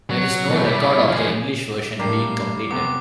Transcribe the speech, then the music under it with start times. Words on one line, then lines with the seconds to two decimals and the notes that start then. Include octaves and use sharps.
There is no record of the English version being completed.
0.10 F#3
0.49 B1 B2
0.64 G3 E4
1.09 F3 G#4
1.99 A2 G3 A#3 D4 D6 C7
2.71 C3 B3 D6